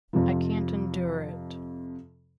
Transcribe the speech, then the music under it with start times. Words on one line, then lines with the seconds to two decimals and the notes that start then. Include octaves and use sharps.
I can't endure it!
0.13 F2 C3 F3